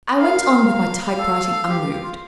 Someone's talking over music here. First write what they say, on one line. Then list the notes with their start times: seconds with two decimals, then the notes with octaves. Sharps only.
I went on with my typewriting, unmoved.
0.17 A#4 F5
0.67 F5
1.19 A4
1.44 A4
1.69 G4
1.86 G4
2.03 F4